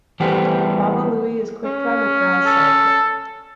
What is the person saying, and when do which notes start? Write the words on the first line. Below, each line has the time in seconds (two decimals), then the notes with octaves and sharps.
Baba Looey is Quick Draw McGraw's sidekick.
0.20 E3 G3 A3 B3 G4 C5
1.65 C#4
2.46 A4